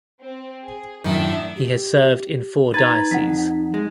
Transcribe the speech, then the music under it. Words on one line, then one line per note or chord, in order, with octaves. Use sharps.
He has served in four Dioceses.
C4
G#4
F#2 A2 D#3 D4 D5 E5
G4
D#4 B4 A#5 G#6 A6
F2 F#5 B6
G#3